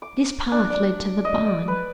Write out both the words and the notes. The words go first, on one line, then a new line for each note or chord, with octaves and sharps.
This path led to the barn.
D6
D4
D5
D#5
D5
B4